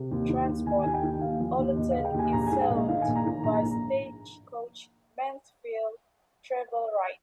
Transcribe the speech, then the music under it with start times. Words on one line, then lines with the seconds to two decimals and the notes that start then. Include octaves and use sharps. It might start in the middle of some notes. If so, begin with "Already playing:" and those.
Transport: Ollerton is served by Stagecoach Mansfield, Travel Wright.
Already playing: C3
0.11 D#2
0.29 D#3
0.48 D#2
0.66 D#2 G#5
0.83 D#3 G#5
0.93 G5
1.03 D#3
1.21 D#2 F5
1.40 F3
1.59 D#2
1.77 D#2 D#5
1.91 F5
1.96 C#3
2.05 G5
2.14 D#2 G#5
2.32 A#1 A#5
2.47 G#5
2.52 G#2
2.61 F5
2.70 A#1 D#5
2.88 D#3 F5
3.02 G#5
3.07 A#1
3.15 A#5
3.26 D#3 A#5
3.44 A#1 A#5
3.63 A#1
3.71 A#5